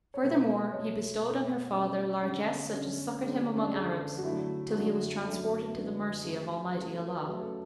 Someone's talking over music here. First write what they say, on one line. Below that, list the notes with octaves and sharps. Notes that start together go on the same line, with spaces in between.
Furthermore, he bestowed on her father largesse such as succoured him among Arabs, till he was transported to the mercy of Almighty Allah.
C#5
B2 A3 B4
B2 A3 C#5
B2 A3 B4
B2 A3 C#4
D3 G#3 C#4
D3 G#3 C#4
D3 G#3 C#4
C#4
D4
D3 G#3 G#4
A4
G#4
F#4
D3 F#3 A3 E4
G#4
D3 F#3 A3 F#4
D3 F#3 A3 A4
D3 F#3 A3 B4
C#3 F#3 A3 G#4
C#3 F#3 A3 A4
A4
B4
C#3 F#3 A3 B4
A4